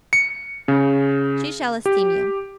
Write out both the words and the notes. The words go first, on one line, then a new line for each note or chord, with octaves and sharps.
She shall esteem you.
C#7
C#3
G4